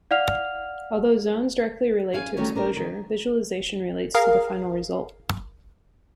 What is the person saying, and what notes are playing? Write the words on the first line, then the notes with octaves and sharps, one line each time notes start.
Although zones directly relate to exposure, visualization relates to the final result.
D5 F5 F#5 F6 F7
F#2 G#4 F5 G#5
D2 D#3 F#3 G3 A3 C#4
D4 A#4
D#3
G#4 A#4 F5